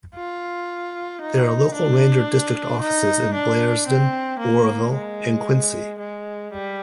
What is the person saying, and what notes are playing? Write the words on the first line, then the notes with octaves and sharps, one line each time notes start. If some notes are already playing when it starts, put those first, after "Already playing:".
There are local ranger district offices in Blairsden, Oroville, and Quincy.
F4
D#4
D4
D#4
D4
C4
A#3
G#3
G#3
G3